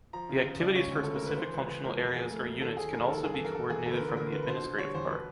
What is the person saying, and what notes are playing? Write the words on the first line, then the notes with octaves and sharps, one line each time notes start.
The activities for specific functional areas or units can also be coordinated from the administrative part.
F3 A#5
C#3
C#3
C#2 D5
C#3 C#5
D2
D2 A4
A#4
D2 B4
E3 C5
C#2 B4
C#2 B4
C#2 A#4
F2 A#4
F2 G#4
A3
F#3
D#2 A4
D#2 G#4
F1 A#4
D#2 A4
G2 G#4
A4
E3
A#4
G2 A4
E3 G#4
D2 A4
B4
A#4
D3
B4
D2 A#4
D3 B4
B4
B2 C5
B2
G3 C#5
E2 C5
B2 B4